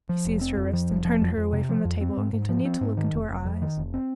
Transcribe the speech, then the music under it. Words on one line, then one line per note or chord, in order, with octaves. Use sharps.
He seized her wrists and turned her away from the table and continued to look into her eyes.
F3
F1
C4
F2
F3
F1
F3
F2
F2
C3
F3
F2
C4
G#2
G#2
F3
C4
G#2
D#3
F1
F1
F2
D#3
F1
C4